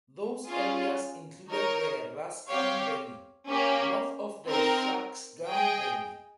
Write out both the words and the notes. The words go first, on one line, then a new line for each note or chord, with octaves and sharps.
Those areas included the Raskam Valley, north of the Shaksgam Valley.
C#4 F4 G#4
D#4 A#4 C#5
C4 G4 C#5 F5
A#3 C#4 G4
C4 D#4 A#4
G#4 D#5 G5